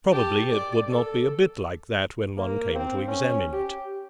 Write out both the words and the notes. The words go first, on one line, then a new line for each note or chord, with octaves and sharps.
Probably it would not be a bit like that when one came to examine it.
G4 A5
D5
A4
A#3
C4
C#4
G4